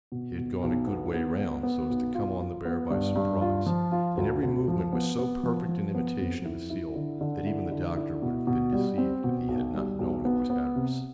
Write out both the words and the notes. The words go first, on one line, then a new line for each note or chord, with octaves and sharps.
He had gone a good way round, so as to come on the bear by surprise, and every movement was so perfect an imitation of a seal, that even the Doctor would have been deceived if he had not known it was Hatteras.
B2
B2
B1
B3
B3
B3
B3
B1
F4
F4
B3
G2
G2
F4
F3
F4
D2
D2
F3
B3
B3
F3
F3
B3
F2
E4
E4
D3
D3
E4
D3
E4
B2
B2
G3
C4
B2
B1
G3
B1
B3
B3
C3